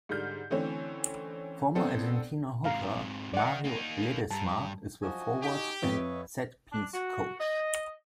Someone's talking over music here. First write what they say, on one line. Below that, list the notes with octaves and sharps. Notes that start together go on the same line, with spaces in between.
Former Argentina hooker Mario Ledesma is the forwards and set-piece coach.
G#2 D3 G3 F6 G6
D3 E3 A3 C4 C#4
B3 C4 D4 A4
G#2 C3 F5 A#5
D#3 D5 F#5
A#3 D#4
G2 A5 A#5
F3 F#4 D#5 G#5
D#4 G4
F2 B4 C#5 D#5 E5
D4
F#4
D#5